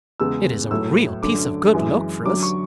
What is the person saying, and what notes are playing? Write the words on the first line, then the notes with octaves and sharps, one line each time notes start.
It is a real piece of good luck for us.
E2 C#3 G#3 E6
A2 F#3 A3 E6
F#2 D3 A3 D6
F#2 E3 G#3
F#2 D3 F#3 D6
C#6